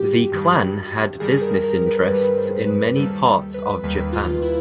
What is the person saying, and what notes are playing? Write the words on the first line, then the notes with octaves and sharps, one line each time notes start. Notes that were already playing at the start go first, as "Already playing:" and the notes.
The clan had business interests in many parts of Japan.
Already playing: G2 D#3 G3 F#4 G4
G2 D#3 G3
G2 D#3 G3 G#4
A#4
A#4
B4
G2 D#3 G3 B4
C5
B4
D#2 D#3 G3 A4
B4
D#2 D#3 G3 B4
F4
E4